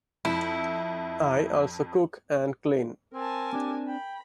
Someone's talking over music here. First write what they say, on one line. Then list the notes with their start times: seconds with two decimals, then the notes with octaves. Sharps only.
I also cook and clean.
0.25 F2 E4
3.14 C4 A#4 G#5 A5
3.53 C4 D4 G4
3.87 G5 B5